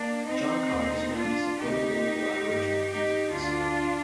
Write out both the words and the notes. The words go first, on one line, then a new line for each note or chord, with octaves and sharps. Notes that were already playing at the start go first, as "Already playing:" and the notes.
Johncock is known to support the local Aboriginal communities.
Already playing: A#3 D4
C4 D#4
D#2 D3
D4 F4
D2 C3 D#3 D#4 G4
G2 D#3
D#4 G4
D2 D3 D4 F4